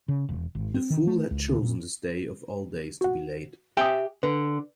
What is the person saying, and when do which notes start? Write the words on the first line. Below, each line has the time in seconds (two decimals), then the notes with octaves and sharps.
The fool had chosen this day of all days to be late.
0.08 C#3
0.29 E1
0.55 G#1
0.74 C4
0.90 D#3
1.07 A3
1.31 C#2
1.48 D2
1.62 A#2
3.01 F#4 F#5
3.77 G4 E5 G5 G#5 D#6
4.23 D3 B4